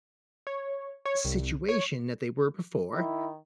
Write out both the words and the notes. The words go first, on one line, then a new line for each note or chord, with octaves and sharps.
situation that they were before.
C#5
C#5
C2
C#5
D#3 E4